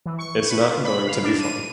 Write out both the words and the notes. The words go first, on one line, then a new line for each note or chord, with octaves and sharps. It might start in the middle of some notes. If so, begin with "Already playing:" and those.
It's not going to be fun.
E3
C#6
B4
F4
B5
F5
D4
D#7